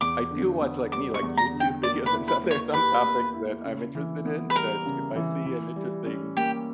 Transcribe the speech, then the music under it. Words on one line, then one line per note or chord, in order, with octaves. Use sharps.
I do watch, like, me, like, YouTube videos and stuff, there are some topics that I'm interested in that if I see an interesting
E2 D6
D3
B3
G3 D6
C#6
E2
A#5
D3
G5
A#3 D5
B4
E4
B4
A#3
C#5
G4 B4
A#3
E4
C#3
E3
B3
B4
G3 A#4
C#3
E3
E3
G3
C#4
A#3 G4